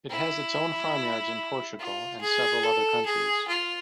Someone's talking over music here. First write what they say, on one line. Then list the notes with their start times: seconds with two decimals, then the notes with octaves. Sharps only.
It has its own farmyards in Portugal and several other countries.
0.10 E4
1.79 F4
2.22 G#4
2.63 A4
3.05 G#4
3.48 F4